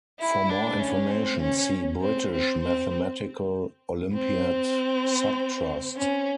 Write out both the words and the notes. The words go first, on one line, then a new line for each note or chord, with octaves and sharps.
For more information see British Mathematical Olympiad Subtrust.
E4
D4
C#4
C4
C#4
C4
C4
C4
C4
C#4